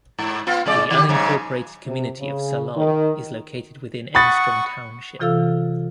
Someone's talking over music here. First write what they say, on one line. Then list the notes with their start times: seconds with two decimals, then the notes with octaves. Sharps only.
The unincorporated community of Salol is located within Enstrom Township.
0.19 G#2
0.47 B3 F4
0.66 C3 G#3 D5
0.90 D#3 G4
1.09 G#2 C#3 F#3
1.86 C3
2.19 C#3
2.77 D#3
4.15 F#5 B5 C#6 D#6 A6
5.20 C3 E3 F4 A4 F5 E6